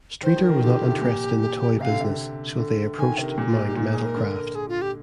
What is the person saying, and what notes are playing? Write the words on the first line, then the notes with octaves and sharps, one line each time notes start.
Streater was not interested in the toy business so they approached Mound Metalcraft.
D#3 C5
F3
A#4
D#3
D3 G4
C3
A#2
C3 F5
D3
C3
D3
D3
D#3 G#5
C3 A#4
A#2 G4
F4
G#2 G4
G4
A#2 F4
G#4
A#4
D3
G#4
F4
G4